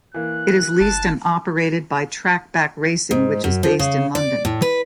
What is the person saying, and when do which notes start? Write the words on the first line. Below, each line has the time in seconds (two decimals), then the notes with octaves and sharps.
It is leased and operated by Trakbak Racing which is based in London.
0.14 E3 A#3 F#6
0.81 G1 A5
3.11 G#2
3.44 F#2
3.63 F3
3.79 C#3
4.15 D5
4.45 A2
4.62 B4